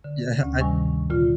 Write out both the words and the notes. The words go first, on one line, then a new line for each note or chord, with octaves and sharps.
Yeah, I
D3
D2 C#4
G2 C3 D#3 G3 G#5 C#6
A#2 D3 F4